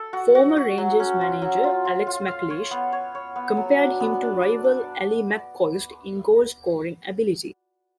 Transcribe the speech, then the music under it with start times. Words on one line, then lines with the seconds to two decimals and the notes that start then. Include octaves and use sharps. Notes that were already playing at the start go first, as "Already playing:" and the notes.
Former Rangers manager Alex McLeish compared him to rival Ally McCoist in goalscoring ability.
Already playing: A4
0.13 F#4
0.35 F#4
0.57 F#4
0.78 F#3
1.00 C#4
1.21 F4
1.42 F#3
1.64 F4
1.85 F4
2.07 F4
2.28 F5
2.50 C#5
2.71 B3
2.93 C#5
3.15 C#5
3.36 B3
3.57 F#3
3.78 D4
4.00 B3
4.22 D4
4.43 D5
4.64 D4